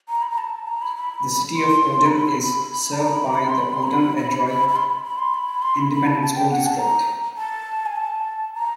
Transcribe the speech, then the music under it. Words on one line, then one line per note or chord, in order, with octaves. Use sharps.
The City of Odem is served by the Odem-Edroy Independent School District.
A#5
B5
A#5
A5
A#5
B5
B5
C6
A#5
B5
B5
B5
A5
A#5
B5
A#5
B5
C6
B5
C6
A#5
B5
B5
B5
B5
B5
C6
B5
B5
C6
B5
C6
B5
B5
A5
A5
G5
F#5
A5
A#5
A5
G#5
A5
A#5